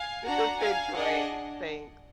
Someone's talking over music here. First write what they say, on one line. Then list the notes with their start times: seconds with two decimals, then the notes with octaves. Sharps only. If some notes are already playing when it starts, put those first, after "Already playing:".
This has been great, thanks.
Already playing: F5 G#5
0.25 D4 F#4 F#5 A#5
0.59 F5 G#5
0.93 D4 G#4 D#5 F#5